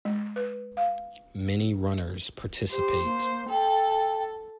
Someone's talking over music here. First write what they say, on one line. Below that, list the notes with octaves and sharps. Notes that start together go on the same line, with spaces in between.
Many runners participate.
G#3
B4
F5
G4 C5
A#3
A4 G5